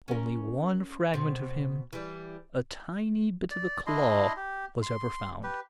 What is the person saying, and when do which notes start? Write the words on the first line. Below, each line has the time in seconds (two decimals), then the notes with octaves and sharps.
Only one fragment of him, a tiny bit of a claw, was ever found.
0.08 C#4 A#4
1.14 B2 C4
1.93 E3 G3
3.51 D5
3.87 D4 E4 D#5 C6
4.36 G4
4.83 C6
5.43 G4 B4